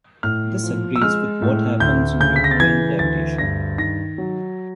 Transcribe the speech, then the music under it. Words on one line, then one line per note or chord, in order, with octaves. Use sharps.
This agrees with what happens in Newtonian gravitation.
A2 F6
F3
E6
G#3 F6
A2
D2 G6
C#3 G6
B6
A#6
A6
E3 G#6
D2 A6
G2 A#6
D#3 A#6
F#3